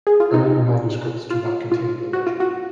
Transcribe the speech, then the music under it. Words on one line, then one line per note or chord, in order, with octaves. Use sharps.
Earlier manuscripts do not contain the legend.
G#4
F4
D#4
F4
F4
F#4
F4
F#4